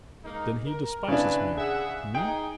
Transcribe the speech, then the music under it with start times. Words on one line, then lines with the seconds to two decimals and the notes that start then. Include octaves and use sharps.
"Then he despises me, me?"
0.24 G#3 A#3 D#4
0.65 A#4
1.08 C#3 D4 E4 B4 G#5
1.58 G#4 E5 F#5
2.15 D#4 G#4 G5